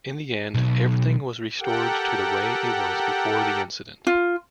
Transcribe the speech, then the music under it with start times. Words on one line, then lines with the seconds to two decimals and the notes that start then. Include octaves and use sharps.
In the end, everything was restored to the way it was before the incident.
0.54 B1
1.60 G4 A4 A#4 F#5 G5
4.07 F4